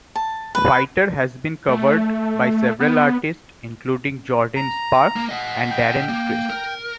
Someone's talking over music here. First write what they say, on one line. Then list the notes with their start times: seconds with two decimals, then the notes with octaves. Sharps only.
"Fighter" has been covered by several artists, including Jordin Sparks and Darren Criss.
0.16 A5
0.55 B4
1.69 A3
2.80 B3
4.56 A#5
5.16 A#3
5.29 D#5 F#5
5.71 G5
6.09 A#3
6.50 A#4